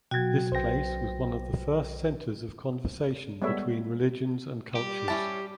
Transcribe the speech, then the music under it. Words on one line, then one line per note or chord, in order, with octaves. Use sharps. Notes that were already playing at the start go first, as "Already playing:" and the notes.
This place was one of the first centers of conversation between religions and cultures.
B2 F#3 F#4 G5 G#6
B1 B4 C5 G5 A#6
G3 G#3 B3 A4 C#5 E5
G3 G4
C#4 E4 A5